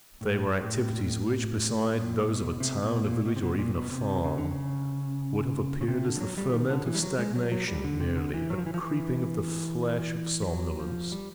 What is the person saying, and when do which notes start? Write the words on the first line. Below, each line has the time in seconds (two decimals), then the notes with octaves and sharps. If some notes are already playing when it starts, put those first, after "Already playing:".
They were activities which, beside those of a town, a village, or even a farm, would have appeared as the ferment of stagnation merely, a creeping of the flesh of somnolence.
0.21 A2
0.64 A2
1.95 A#2
2.28 B2
2.60 C3
2.82 B2
3.04 A#2
3.26 B2
3.36 C3
3.43 B2
3.54 B2
3.59 A#2
3.75 B2
3.91 C3
4.24 C#3
4.38 D3
4.51 C#3
5.81 C#3
5.88 C3
6.04 D3
6.17 G3
6.21 F#3
6.38 G3
6.49 E3
6.53 D#3
6.70 D3
6.86 E3
6.95 G3
7.03 F#3
7.19 G#3
7.36 F#3
7.52 F#3
7.68 G3
7.84 D3
8.00 C3
8.17 D3
8.34 E3
8.50 F#3
8.58 F3
8.66 E3
8.74 F3
8.82 E3
10.42 G3
10.46 F#3
10.79 F3
11.12 G3